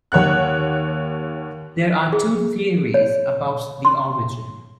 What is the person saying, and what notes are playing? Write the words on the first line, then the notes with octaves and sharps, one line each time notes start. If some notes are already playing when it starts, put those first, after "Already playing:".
There are two theories about the origin.
D#2 C#5 F#5 F#6
G#4
C#5
C6